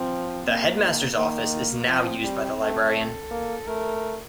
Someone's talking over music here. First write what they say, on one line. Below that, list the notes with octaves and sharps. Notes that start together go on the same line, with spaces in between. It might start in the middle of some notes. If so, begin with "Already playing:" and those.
The Headmaster's office is now used by the librarian.
Already playing: F3 C4
A#3
D#3
D#3 A#3
F3 C4
G3
A3
A4
A#3
A3 A#4